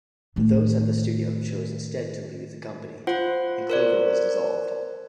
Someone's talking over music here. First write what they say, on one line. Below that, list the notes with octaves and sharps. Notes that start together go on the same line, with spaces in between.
Those at the studio chose instead to leave the company, and Clover was dissolved.
A2 D#3
F4 C5 F#5
A#4 C5 D5